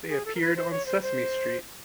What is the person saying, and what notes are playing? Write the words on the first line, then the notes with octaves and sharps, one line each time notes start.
They appeared on Sesame Street.
G#4
A4
A#4
B4
C5
C#5
C5
C5